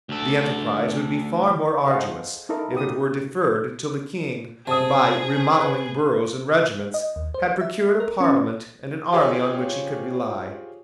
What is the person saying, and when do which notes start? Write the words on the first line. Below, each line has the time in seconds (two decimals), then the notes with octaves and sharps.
The enterprise would be far more arduous if it were deferred till the King, by remodelling boroughs and regiments, had procured a Parliament and an army on which he could rely.
0.09 D2 A4
1.87 G#4 A4 C5 D#5 F5 F#5
2.49 D#4 E4 A4 A#4 D#5
2.73 F#4 G4 D#6
4.67 C3 G#4 A5 D#6
5.60 B4
6.94 D#5
7.16 D#2
7.34 C5
7.61 E5
8.00 A#4
8.20 C#4
9.12 F4 G4 G#4 C5 C#5